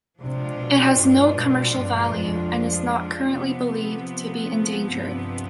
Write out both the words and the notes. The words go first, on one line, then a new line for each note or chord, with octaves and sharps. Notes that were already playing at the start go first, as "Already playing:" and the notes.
It has no commercial value, and is not currently believed to be endangered.
C3 F3 G#3 D4 F4
B2
G2
B2
G2
F2
C3 F3 B3
G2